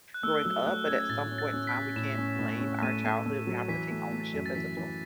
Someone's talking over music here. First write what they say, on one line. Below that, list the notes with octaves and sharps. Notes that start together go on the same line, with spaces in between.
growing up, but at some point in time, we can't blame our childhood. We have to take ownership as adults
F#6
A3 E6
F#3 E6
A3 F#6
C#4 G#6
A2 A6
C#4
A6
C#4
B6
C#4
A2 E7
C#4
A2
C#4
A3 D#7
A3
A3
F#3
E3 B6
A3
A3
F#2
A6
E3 B6
E3